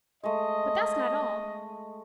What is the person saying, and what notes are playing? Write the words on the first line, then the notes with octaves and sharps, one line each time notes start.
But that's not all.
G#3 A3 D#5